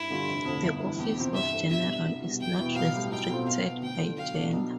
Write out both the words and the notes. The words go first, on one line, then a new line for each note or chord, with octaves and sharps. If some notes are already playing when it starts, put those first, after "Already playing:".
The office of General is not restricted by gender.
Already playing: G2 E4
D3 G3 D4 F4
F1
F2 D3 A3
G1
G2 E3
E2 G4
C3 F3 C4
G2 E5
E3 A3 E4 G4
B2 E5
G3 D4
C2
B2 G3
E1 G5
E2 B2 B3 E4
B1 F5
A2 G3
B1 G5
B2 A3 C4 F4
B1 F5
B2 B3
D2 G5
D3 A3 D4 F4
B1 F5
B2 A3 D4
B1